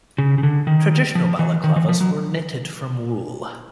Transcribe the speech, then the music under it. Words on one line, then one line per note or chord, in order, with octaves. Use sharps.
Traditional balaclavas were knitted from wool.
C#3
C#3
D3
D#3
F3
E3
D#3
E3
F3
F#3